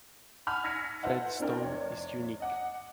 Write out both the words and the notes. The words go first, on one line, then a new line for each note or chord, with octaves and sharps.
Fred Stone is unique.
F#5 G#5 A5 B5 F6
E6 G#6 A#6 B6 C#7 D#7
F4 A4 B4 C5 E5 F#5
C4 D4 E4 A#4 D5 G5
F1 C#5 D5
D#5 F#5 D6